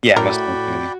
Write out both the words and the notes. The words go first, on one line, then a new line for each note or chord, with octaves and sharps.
Yeah, must have been in the
A2 F#4 A#4 D5 G5 B5